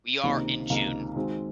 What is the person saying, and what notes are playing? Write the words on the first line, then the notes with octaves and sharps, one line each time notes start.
We are in June.
C#2 C3 D#3 A#3 D#4
C#2 C3 D#3 A#3 D#4
D#3 G#3 C4 F#4